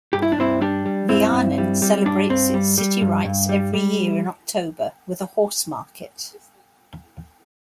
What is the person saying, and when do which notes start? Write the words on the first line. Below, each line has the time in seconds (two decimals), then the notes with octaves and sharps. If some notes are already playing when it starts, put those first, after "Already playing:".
Vianen celebrates its city rights every year in October with a horse-market.
0.13 G2 G4
0.22 E4
0.32 D4
0.38 G2 C4 E4
0.61 G3 D4 G4
0.85 G3
1.09 G2 C4 E4
1.33 G2
1.58 G3
1.82 G3
2.05 G2 D4
2.29 G2 C4
2.54 G3
2.78 G3
3.01 G2
3.25 G2
3.49 G3
3.73 G3